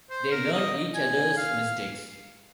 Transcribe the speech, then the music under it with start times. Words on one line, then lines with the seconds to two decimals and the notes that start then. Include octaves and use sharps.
They learn each other's mistakes.
0.10 C5
0.31 A#4
0.52 D#5
0.95 G#5
1.37 F5